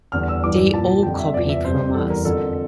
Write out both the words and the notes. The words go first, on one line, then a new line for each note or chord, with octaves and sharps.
They all copied from us.
E2 D3 G3 F6
E6
G2 E3 G3 D6
A#2 F3 A5
F2 D3 G3 G5
E5
E2 C3 F3 D5
E5
F2 C3 G3 C5
E2 E3 G3 A4
A#4
F2 D3 F3 A4